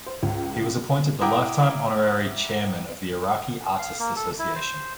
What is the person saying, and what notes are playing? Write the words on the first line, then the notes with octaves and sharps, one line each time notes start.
He was appointed the lifetime honorary chairman of the Iraqi Artists Association.
C5
C#2
E4 F#5 G5 A#5 D6 D#6
F5
A#3
A4
E4
C5